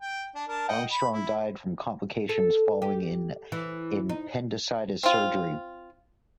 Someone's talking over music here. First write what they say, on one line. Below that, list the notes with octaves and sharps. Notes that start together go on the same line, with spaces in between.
Armstrong died from complications following an appendicitis surgery.
G5
D4
D4 A#4 A5
D#5 F#5 G5
B5
E4
A4
G4
E3
D#4
C4 F4